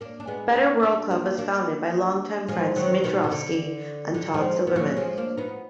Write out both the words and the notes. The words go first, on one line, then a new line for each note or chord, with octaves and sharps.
Better World Club was founded by longtime friends Mitch Rofsky and Todd Silberman.
A#3 D4
D4
G#3 B3
B3 D#4
A#3 D4
A#3 D4
A#3 D4
F3 G#3
D#3 F#3
B2 D#3
B2
D3
D3
F3 G#3
B3
F#3 A#3
F3 G#3
A#3 D4
B3 D#4